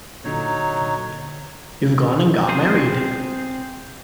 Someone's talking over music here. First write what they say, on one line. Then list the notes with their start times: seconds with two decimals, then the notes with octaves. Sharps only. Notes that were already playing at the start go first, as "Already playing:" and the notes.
You've gone and got married!
0.24 A#2 D3 F#3 D#4 C#5
2.49 C4 G#4 C5